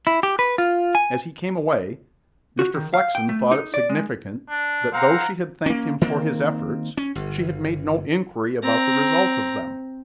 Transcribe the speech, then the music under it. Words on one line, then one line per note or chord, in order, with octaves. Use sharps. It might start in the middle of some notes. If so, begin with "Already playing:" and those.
As he came away, Mr. Flexen thought it significant that, though she had thanked him for his efforts, she had made no inquiry about the result of them.
E4
G4
B4
F4
G#5
F#4
D#3
F5
G5
A3
D#4
D5
G#3
D4
C4 F5 F#5 A#5
A#3 C#4
D#3 A#3 C4
C#4
G1
C4 A#5